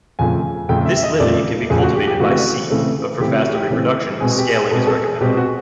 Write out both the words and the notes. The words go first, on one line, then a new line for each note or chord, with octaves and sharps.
This lily can be cultivated by seed, but for faster reproduction scaling is recommended.
F2 C#3 F3 A3 G#5
F2 C#3 F3 A3 G5
E5
E5
D#5
F2 C#3 F3 A3 D5
F2 C#3 F3 A3 G#4
F#4
G4
G4
C#3 E3 A3 C4 F#4
C#3 E3 A3 C4
C#3 E3 A3 C4 G4
F#4
G4
C#3 E3 A3 C4
B2 G#3 C4 G#4
G4
G#4
B2 G#3 C4 A4
A4
G#4
B2 G#3 C4 G4
F#4